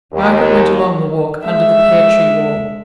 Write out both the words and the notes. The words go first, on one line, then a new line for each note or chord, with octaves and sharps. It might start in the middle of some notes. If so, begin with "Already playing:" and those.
Margaret went along the walk under the pear-tree wall.
D#2
G#3 E5